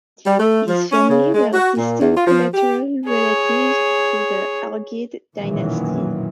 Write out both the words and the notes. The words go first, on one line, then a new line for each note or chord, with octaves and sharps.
His family were distant collateral relatives to the Argead dynasty.
G3
A3
F3
C#4
C#3
G#3
F#4
A#2
E2
F4
F3
G4
G#4 C#5
B1 F#2 A#2 D#3 E3 F#3